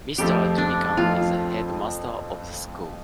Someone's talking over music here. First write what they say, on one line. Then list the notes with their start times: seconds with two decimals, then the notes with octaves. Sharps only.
Mr Dumican is the headmaster of the school.
0.18 F2 F3 A3 C4 G4
0.58 D4
0.97 F2 F3 A3 C4 F4